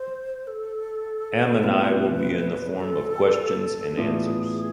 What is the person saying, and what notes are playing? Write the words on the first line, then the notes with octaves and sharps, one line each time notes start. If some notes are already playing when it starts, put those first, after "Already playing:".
Ammanai will be in the form of questions and answers.
Already playing: C5
A4
B2 A3 C4 F4 B4
A4
A2 E3 B3 D4 F4 G#4